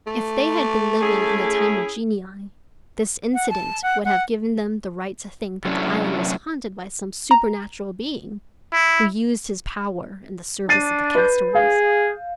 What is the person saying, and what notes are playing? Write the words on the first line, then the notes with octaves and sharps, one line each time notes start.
If they had been living in the time of genii, this incident would have given them the right to think that the island was haunted by some supernatural being, who used his power in the service of the castaways!
A3
C#4 E4 G#4
F#5
A5
F#5
F#5
C3 F#3 A3 C#4 D4 E4
A#5
E4
D4 A6 C7 D#7
B4 G6
G#4 F5